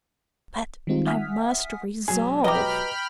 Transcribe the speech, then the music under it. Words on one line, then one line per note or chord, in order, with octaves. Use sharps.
But I must resolve.
D#3 G3 G#3 C4 D#4 F4
E5 F#5 G#5 D#6 F6 B6
B2 F#3 G#3 G#4
G4 B4 D#5 G5 A#5 B5 F6